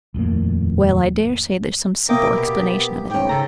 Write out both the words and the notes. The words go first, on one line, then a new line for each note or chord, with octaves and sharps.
Well, I daresay there's some simple explanation of it all.
D#1 F2 A2 A#3
B2 A#3 A#4 D#5 E5 G5 D6
B3 G4
G#2 C#4 G5
C#3 A4 A#5